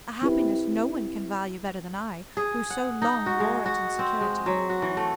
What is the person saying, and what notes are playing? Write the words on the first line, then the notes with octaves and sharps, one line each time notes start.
A happiness no one can value better than I, who so long wore it in security.
C4 E4 G4 B4
G#4
F#5
D#4
F#4
G#3
F#4
C4
G#3
F#3
F#4
E3
A3